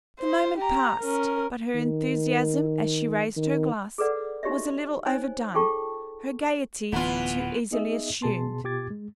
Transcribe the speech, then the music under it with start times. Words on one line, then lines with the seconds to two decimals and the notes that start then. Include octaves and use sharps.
The moment passed, but her enthusiasm, as she raised her glass, was a little overdone, her gaiety too easily assumed.
0.19 C5
0.58 G4 A#5
0.99 C#4 A#4
1.75 D#3
3.37 D#3
3.98 G#4 A4 B4 D5 F#5
4.43 D#4 F#4 G4 C#5 D#5 E5
5.06 D#4 C5 C#5 G#5
5.54 F4 G#4 A4 G5 A5 C#6
6.92 D1 E3 B3 F4 F#5
7.71 B3 D#4 G#4 D#5 E5
8.22 B2 G#4 A5 C6
8.64 B2 F4 G4 D6 G#6 A6
8.90 G#3